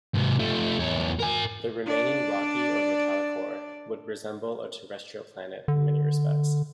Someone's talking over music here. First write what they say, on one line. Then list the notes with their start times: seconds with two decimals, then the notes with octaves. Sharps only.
The remaining rocky or metallic core would resemble a terrestrial planet in many respects.
0.14 G#2 C3
0.39 F3 A3
0.79 E2 C#5
1.19 A#4 G#5
1.85 D4 D5
5.68 D3